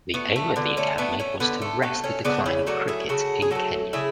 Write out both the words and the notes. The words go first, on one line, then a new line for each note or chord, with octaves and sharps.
The aim of the academy was to arrest the decline of cricket in Kenya.
A3 B3
A3
D3 B3
A3 C#4
A3 B3 D4
A3 C#4
D3 B3
A3
A3 B3
A3 C#4
C#3 B3 D4
C#4 E4
F#3 A3 D4 F#4
E4 G#4
C#3 F#4 A4
G#4
F#3 A3 F#4 A4
C#3 E4 G#4